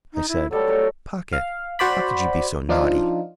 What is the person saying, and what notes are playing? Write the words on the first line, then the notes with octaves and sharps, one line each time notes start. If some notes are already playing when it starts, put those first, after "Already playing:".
I said, "Pocket, how could you be so naughty?"
D#4
E4
F#3 G3 A3 A4
F#3 C#5 A#5
F5
F#4 C5 D5 B5
F3 D4 D#4 F4